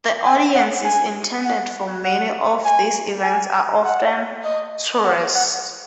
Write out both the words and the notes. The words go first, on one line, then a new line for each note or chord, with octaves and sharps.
The audiences intended for many of these events are often tourists.
G#5
F#5
G#5
F#5
F#5
G#5
G#5
F#5
D#5
F#5
F#5